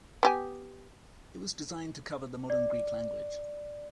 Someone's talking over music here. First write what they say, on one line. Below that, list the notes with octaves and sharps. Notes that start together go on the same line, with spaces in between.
It was designed to cover the modern Greek language.
B3 G4 G#5
D5